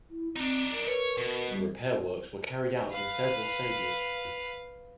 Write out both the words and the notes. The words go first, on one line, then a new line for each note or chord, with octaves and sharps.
The repair works were carried out in several stages.
E4
C4 D4 D#4
A#4
B4 C#5
B2
G3
B4 F5